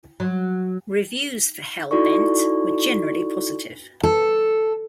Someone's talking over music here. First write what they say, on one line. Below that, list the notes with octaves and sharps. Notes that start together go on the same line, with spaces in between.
Reviews for "Hellbent" were generally positive.
F#3
D#4 E4 F#4 A4 D5 C#6
A4